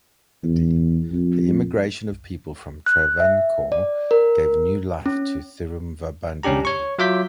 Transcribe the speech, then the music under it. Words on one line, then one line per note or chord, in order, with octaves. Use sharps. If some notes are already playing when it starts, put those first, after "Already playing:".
The immigration of people from Travancore gave new life to Thiruvambady.
E2
F2
F#6
E5
D5
A#4
C#4
C#2 C#4 D4 G4 A#5
C#5 C#6
F#3 F4 E5 D6 G6 B6